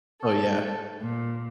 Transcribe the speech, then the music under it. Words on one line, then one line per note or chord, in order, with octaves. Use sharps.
Oh, yeah.
A4
A#2